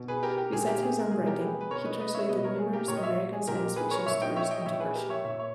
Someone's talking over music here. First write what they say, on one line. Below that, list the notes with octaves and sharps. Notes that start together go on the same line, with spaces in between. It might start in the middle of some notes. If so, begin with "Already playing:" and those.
Besides his own writing, he translated numerous American science fiction stories into Russian.
Already playing: B2
G#4 B4
G4 A#4
G4 A#4
A#2 G#4
G4 A#4
G#4
A#4
B2 G#4
G4 A#4
G#4 B4
B4
B2 A#4 C#5
B4 D#5
B4 D#5
C#5 E5
B2 B4 D#5
D#5
A#4 C#5
G#4
G4 A#4
A#2 A#4 C#5
D#5
C#5 E5
G#4
A#2 G4 A#4
G#4 B4
A#4 C#5
A#2 C#5 E5
D#5 G5
C#5 E5
D#5 G5
G5
A#2 C#5 E5
G#4 B4
G4 A#4
C#5 E5
A#2 C#5 E5
C#5